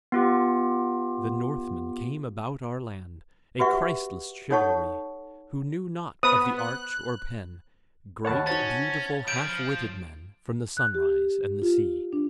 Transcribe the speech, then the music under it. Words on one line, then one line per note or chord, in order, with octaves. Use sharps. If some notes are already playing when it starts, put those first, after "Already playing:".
The Northmen came about our land A Christless chivalry: Who knew not of the arch or pen, Great, beautiful half-witted men From the sunrise and the sea.
B3 F4 G4
F#4 G4 B4 E5 F#5 C#6
D#4 A4 C#5 F#5 A5 C#6
B3 C5 B5 D#6
F#6
D#2 A#4 C#5 F#5 A5 B5
C#4 D#4 F#4 C5 A6
C#3 G6 D7
F3
F#6
G4
F4
D4